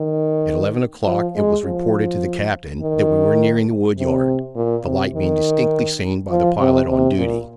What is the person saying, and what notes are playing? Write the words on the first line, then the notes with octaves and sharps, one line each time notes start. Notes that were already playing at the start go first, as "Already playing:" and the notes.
At eleven o'clock it was reported to the Captain that we were nearing the woodyard, the light being distinctly seen by the pilot on duty.
Already playing: D#3
F3
G#3
F3
D#3
C3
A#2
C3
D#3
F3
C3
C3
A#2